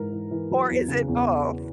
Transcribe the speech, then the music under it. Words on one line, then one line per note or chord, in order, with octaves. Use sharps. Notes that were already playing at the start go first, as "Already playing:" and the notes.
Or is it both?
Already playing: G#2 E3 A#4
E3
E3
F#3
E2
C#3
E2